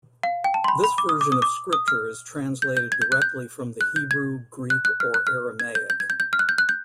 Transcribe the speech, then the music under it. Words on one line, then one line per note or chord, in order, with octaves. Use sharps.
This version of scripture is translated directly from the Hebrew, Greek or Aramaic.
F5
G5
A5
C6
B5
B5
D6
D#6
D6
D#6
D6
D#6
F6
G6
G6
G#6
G6
F#6
G6
F#6
G6
G#6
F#6
F#6
F6
F#6
F6
G#6
G6
G6
G#6
G6
G6
F6
F#6
G6
F#6
G6